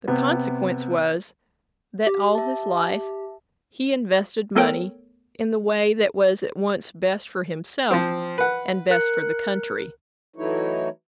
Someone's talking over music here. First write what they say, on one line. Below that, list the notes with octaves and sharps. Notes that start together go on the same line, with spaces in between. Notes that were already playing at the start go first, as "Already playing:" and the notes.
The consequence was, that all his life he invested money in the way that was at once best for himself and best for the country.
C3 B3
G4
E5 A5
A3 B3 A4 A#4 C#5 G5
F3 C4
B4 F#5
A#4 F#6 C#7
E3 F#3 A3 D#4 E4 C#5